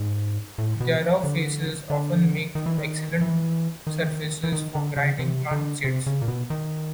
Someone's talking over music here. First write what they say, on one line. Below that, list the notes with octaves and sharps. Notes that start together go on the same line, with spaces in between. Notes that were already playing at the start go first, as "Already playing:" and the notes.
Their rough faces often make excellent surfaces for grinding plant seeds.
Already playing: G#2
A2
B2
D3
D3
D#3
E3
D#3
E3
D#3
E3
D#3
D3
C#3
C3
D3
C3
C#3
A#2
B2
D#3